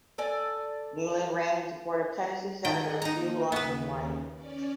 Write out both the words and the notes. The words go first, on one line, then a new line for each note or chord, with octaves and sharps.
Newland ran in support of Tennessee Senator Hugh Lawson White.
A4 D5 G#5
D#3 G#4 D#5 F#5 G5
A#3 D#4 A#5
D#2 C#3 B3 B4
C#4 D5